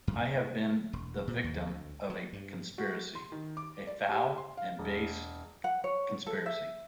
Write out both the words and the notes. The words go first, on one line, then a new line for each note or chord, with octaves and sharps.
I have been the victim of a conspiracy — a foul and base conspiracy.
F#2
A#3
E1
A#2
D#2
D2
F#3
G2
F#4
C6
D#3
D6
D5
G4
C6
F5
E1
F#5
C#5
A4
E5